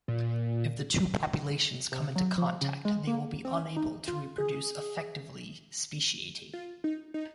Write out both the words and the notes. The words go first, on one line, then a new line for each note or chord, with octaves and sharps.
If the two populations come into contact they will be unable to reproduce-effectively speciating.
A#2
C3
F#3
F3
C#3
G#3
A#3
C4
C#4
D#4
F4
G#4
F4
D#4
D#4